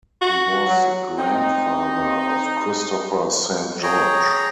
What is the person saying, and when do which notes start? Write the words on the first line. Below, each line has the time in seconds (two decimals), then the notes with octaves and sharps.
He was the grandfather of Christopher Saint George.
0.22 F#4
0.66 F#3
1.18 C4 D#4
3.83 G#4 C#5 G5 A#5